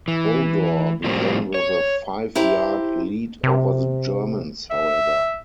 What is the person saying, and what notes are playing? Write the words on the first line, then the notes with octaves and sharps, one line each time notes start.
Bodor began with a five-yard lead over the Germans, however.
E3
A2 F3 G3 A#3 C4
C#5
E4 G4 C5 A#5
C3
E5